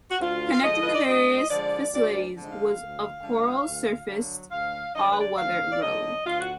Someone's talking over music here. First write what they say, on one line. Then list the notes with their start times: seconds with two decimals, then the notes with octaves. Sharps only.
Connecting the various facilities was of coral-surfaced all-weather road.
0.10 F#4
0.20 D2 F4
0.53 F5
0.63 D3 F3 G#3 D#5
0.82 B4
0.94 D5
1.06 D2 D#5
1.50 D3 F3 G#3 D5
1.93 D2 D5
2.36 D3 F3 G#3
2.50 F5
2.79 D2
3.23 D3 F3 G#3
3.66 D2
4.09 D3 F#3
4.51 D2 F5
4.95 D3 F#3 D#5
5.03 D5
5.11 B4
5.18 D5
5.38 D2 F5
5.71 D5
5.82 D3 F#3 D#5
6.25 D2 F4
6.39 F#4